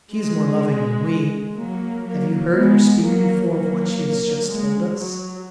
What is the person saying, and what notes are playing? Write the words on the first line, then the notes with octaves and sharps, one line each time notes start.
She is more loving than we.... Have you heard her speak before of what she has just told us?
G#3
F#3 A#3
F#3 A#3
G#3 B3
F#3 A#3
F#3 A#3
G#3
F#3